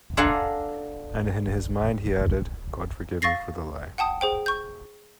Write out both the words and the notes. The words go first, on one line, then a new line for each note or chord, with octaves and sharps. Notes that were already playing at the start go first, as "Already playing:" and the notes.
And in his mind he added: "God forgive me for the lie."
D4 F4 A4 F#5 G#5 A#5
F5 C#6 A6 A#6 C7
F#5 G5 A5 D#6
G#4 C5 G5
C#6 G6